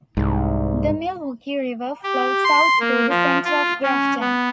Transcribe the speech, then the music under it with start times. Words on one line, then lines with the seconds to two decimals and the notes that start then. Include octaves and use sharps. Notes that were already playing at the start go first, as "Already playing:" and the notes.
The Milwaukee River flows south through the center of Grafton.
0.17 C2 G#2
2.03 G4
2.44 C6
2.80 A#3
3.10 F3
3.44 F4
3.83 C#4
4.20 B3